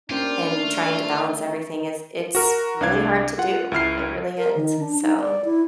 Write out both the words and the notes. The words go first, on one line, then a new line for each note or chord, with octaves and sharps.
and trying to balance everything is it's really hard to do, it really is, so,
A#3 C#4 D4 F4 G4 C5
A3
F#4 A#4
C2 D4 F5 G#6
F4 F#5
C#2 E4 F6 C7
A#4
D#3
D4
D#4
D5
E4